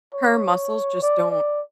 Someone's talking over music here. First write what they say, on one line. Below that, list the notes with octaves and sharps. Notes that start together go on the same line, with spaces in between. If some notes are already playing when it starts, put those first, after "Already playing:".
Her muscles just don't
C#5
D5
D5